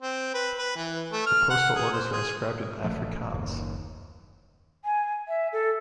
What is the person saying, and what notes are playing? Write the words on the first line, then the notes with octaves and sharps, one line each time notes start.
The postal orders are inscribed in Afrikaans.
C4
B4
B4
E3
A3
F6
F#5
G#4
C5
G#4
A1 F3 A3
F#1 D#2
G#5
E5
A4